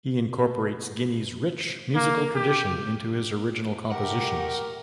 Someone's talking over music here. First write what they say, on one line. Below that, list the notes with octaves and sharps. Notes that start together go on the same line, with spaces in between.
He incorporates Guinea's rich musical tradition into his original compositions.
A#3
G4
C3 A3 G4 A#4 F#5